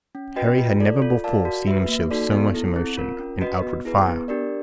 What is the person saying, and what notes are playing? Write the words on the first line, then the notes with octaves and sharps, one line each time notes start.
Harry had never before seen him show so much emotion and outward fire.
C#4
F#4 B4 D#5 G5
F4
A4 D5
F4
A#4 D5 F5 A5
F#4
B4 E5
A#3
D#4 F#4 A4 D5
B3
E4 A4
C4
F4 A#4
C#4
F#4 B4 D#5
B3
E4 G#4 B4
B3
D4 G4 A#4 D5